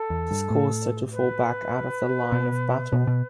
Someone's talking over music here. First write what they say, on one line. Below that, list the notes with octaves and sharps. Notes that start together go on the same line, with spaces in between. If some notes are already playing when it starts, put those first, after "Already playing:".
This caused her to fall back out of the line of battle.
Already playing: A4
E2
G2
A2
B4
B2
B2
B2